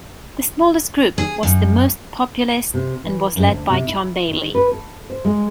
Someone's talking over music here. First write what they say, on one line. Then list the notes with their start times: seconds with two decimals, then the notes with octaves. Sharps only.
The smallest group was the most populist and was led by John Bailey.
1.18 G#4
1.43 F#2
2.74 C3
3.04 E3
3.36 F#2
3.49 D2
3.70 C3
3.87 E4
4.28 D#3
4.55 B4
4.72 A4
5.10 C5
5.25 G#3